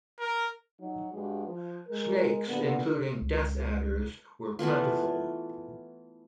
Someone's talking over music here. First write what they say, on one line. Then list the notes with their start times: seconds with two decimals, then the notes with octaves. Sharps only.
Snakes including death adders were plentiful.
0.19 A#4
0.79 F#3 D#4
1.12 G2 G#3 F#4 G4
1.46 F3
1.88 G#3 A#4
2.47 A#2 D3 B3
3.22 C#2
4.59 E3 A3 B3 F4